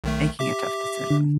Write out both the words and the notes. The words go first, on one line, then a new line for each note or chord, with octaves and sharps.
making a tough decision?
B1 D#3 A3
G4 E5 D6
D3